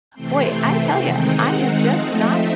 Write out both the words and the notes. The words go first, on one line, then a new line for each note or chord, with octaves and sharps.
boy, I tell you, I am just not
C3 E3 A3 C4 C6
D#3 G#3 C4 D#4 G5
F#5
F#5
F3 A3 C4 D#4 F5
E5